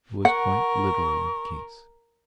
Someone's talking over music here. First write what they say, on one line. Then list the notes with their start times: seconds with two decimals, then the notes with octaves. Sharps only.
It was quite literally the case.
0.25 A#4 F#5 C#6